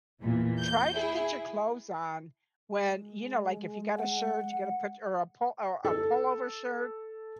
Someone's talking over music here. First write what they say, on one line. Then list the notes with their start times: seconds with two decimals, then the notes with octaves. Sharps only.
Try to get your clothes on when, you know, like, if you got a shirt, you gotta put y or a pull or a pullover shirt,
0.20 E2 A#2 E3
0.61 G6
0.93 E4 G#4
2.77 G#3
3.97 F#5
5.85 A4